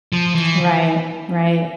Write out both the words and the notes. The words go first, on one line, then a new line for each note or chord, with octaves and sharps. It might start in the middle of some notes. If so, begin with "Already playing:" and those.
Right, right.
F3
E3